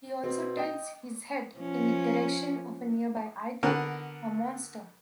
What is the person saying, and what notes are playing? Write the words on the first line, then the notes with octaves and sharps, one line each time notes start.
He also tilts his head in the direction of a nearby item or monster.
B2 C4
D#5 G5
F3 C#4
D3 B3 A#4